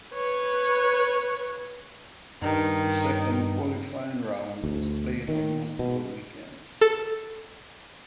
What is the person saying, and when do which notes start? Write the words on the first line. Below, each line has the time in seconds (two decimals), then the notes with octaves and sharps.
The second qualifying round was played on multiple weekends.
0.13 B4 C#5
2.42 G2 D#3
4.64 D2
5.28 D#3
5.79 B2
6.81 A4